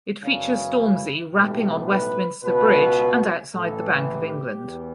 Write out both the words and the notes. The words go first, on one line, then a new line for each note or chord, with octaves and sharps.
It features Stormzy rapping on Westminster Bridge and outside the Bank of England.
F#2 C#3 E3 D4
E4
B1 A2 E3 G4
B4
C#2 B2 B4
A1 A2 E3 A4
G4
E2